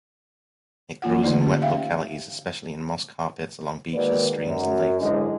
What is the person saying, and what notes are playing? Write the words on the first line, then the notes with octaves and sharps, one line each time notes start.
It grows in wet localities, especially in moss carpets along beaches, streams and lakes.
E3 A#3 F4 F#5
D3 A3 D#4 D5
C#4 G4
E5 F5 G5
D#3 G#3 A#3 F#4 B4 D5
F#2
G#2 D3 E3 F#3 G#3